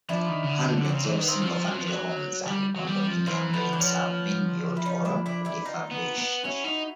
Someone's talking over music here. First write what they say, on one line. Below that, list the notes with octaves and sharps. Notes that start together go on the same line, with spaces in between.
Hundreds of single family homes and condominium units have been built or refurbished.
F3 D4 E4
D#3
C#3
D3
D3
C#4
C#3 C4 D4
E3
D#3
B3
A#3 C4
F3
F#3
F3
F#3
G3
F#3
G3
F3
E3 A#3 C4
F3 A3 B3
E3 D4
F3 B3 C#4
E4
C#4 D#4
D4 E4
D4 E4
D4 E4
D#4 F4
B3
B3
C#4 E4 F#4
D#4